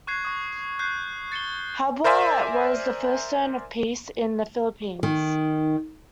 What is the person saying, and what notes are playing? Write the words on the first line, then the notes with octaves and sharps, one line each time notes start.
Haba was the first Zone of Peace in the Philippines.
C#6 F#6 G#6 C7
C#6 D#6
F#6 G6 C7
A6 C#7 E7 G7
A#4 C5 D5 E5 G#5
D#3